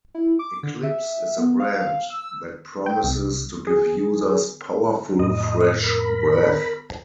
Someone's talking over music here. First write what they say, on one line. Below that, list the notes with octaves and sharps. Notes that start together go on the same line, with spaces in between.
Eclipse is a brand that promises to give users "powerful fresh breath".
E4
D6
D3
E5
B3
F5
F5
E6
G5
C2
G#4
F2 A2 D#5
A#4 B5